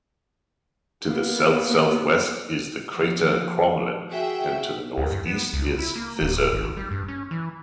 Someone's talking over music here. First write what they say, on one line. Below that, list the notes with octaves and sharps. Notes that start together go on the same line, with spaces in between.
To the south-southwest is the crater Crommelin, and to the northeast is Fizeau.
A#3 B3
F3
F#4 G#4 E5 G5
D2
G2
B3
C#2
E4
A#3
D1
G#1
G3
G2
C#4
E3